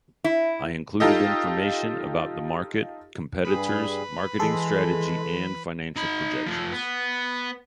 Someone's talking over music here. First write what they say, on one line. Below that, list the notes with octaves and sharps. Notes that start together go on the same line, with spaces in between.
I included information about the market, competitors, marketing strategy, and financial projections.
E4
D#4 F4 G4 A4 D#5
G2 G3 G#4 B4
E3 G#3 G#4 A4 C6
D#4 B5
F3 A3
B3